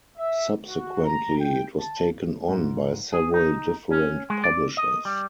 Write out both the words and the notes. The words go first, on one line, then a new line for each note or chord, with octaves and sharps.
Subsequently, it was taken on by several different Publishers.
E5
F#4
A#5
G5
A5
G#2
G#4
D#4
C#4
G#3
D5
D#5
G3